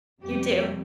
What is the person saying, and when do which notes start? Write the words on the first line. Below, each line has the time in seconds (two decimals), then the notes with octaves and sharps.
You, too.
0.21 F2 C3 G3 G4